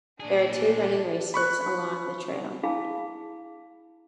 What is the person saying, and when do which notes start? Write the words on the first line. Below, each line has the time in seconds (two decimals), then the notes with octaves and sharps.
There are two running races along the trail.
0.20 A#2 D4 G#4
1.34 B5 C#6 F#6
2.63 D4 E4 G#4 F5 A5 B5